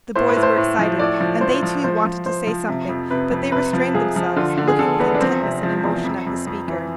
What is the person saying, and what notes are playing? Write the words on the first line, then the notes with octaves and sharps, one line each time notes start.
The boys were excited and they, too, wanted to say something, but they restrained themselves, looking with intentness and emotion at the speaker.
A2 C5
B4
A2
C5
A2
F3
A2 D5
F3
F3 C5
F3
F3 C5
F3
F3 C5
F3
C3
F2
C3 B4
F2
C3 B4
F3
F3 G#4
F3
D3 F4
D3
G#4
D3 A4
E2 B3
D4
F3 C4
C3
F3
E2
F2
F2
F2
E3